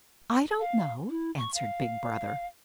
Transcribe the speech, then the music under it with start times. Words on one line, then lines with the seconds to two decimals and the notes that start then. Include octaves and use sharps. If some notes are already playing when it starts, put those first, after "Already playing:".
"I don't know," answered Big Brother.
0.60 F5
1.10 E4
1.38 C#6
1.54 F5